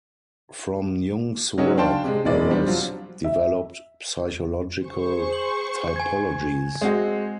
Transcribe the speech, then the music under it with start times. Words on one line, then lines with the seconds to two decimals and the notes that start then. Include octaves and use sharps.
From Jung's work, others developed psychological typologies.
1.57 C#3 F#3 C#4 D#4 F#4
1.78 D4 F5 G5 A5 C6
2.04 C3 G#3
2.25 E1 E3 G#3 D5
2.51 G3 C4 D4
2.67 F3 F#3 F4
3.24 E5
4.84 G#4 C5 C#6
5.33 F#7
5.96 G#5 G#6
6.81 G#3 C4 F#4